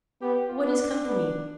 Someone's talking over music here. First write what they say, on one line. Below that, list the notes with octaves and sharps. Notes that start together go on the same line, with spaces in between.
What is come to me!
B3 G4
G4
F4
B3 D4
B3